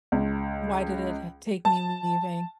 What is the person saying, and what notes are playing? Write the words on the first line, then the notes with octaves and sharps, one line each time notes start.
why did it t take me leaving
C#2
A5